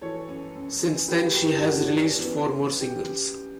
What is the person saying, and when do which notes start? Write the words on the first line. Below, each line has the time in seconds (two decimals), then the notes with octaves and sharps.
Since then she has released four more singles.
0.01 E3 A4 C#5
0.28 F#2
0.55 F#2
0.81 E3
1.08 E3 G4 B4
1.26 G4 B4
1.35 G2
1.44 E4 G4
1.61 G2 D4 F#4
1.75 C#4 E4
1.88 E3
2.02 C#4
2.15 E3 B3
2.33 C#4
2.41 F#2
2.50 C#4
2.68 F#2
2.80 G4